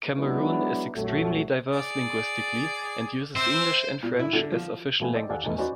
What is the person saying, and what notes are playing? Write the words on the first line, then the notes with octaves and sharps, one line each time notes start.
Cameroon is extremely diverse linguistically and uses English and French as official languages.
F#3 G#3 B3 D4 E4 B4
A#1 F2 A#2 F#3 A3
G#4 D5
C4 C5 E5
A#2
E4
D3
F3
B2 F3 A3 B3 G#5
A4 C5 D5 D#5 G5
D#2 A4 D5 F5 F#5 G#5
E2 E3 A3 D#4 G#5 A5
C#4 D#4 F#4 B4 C5 D5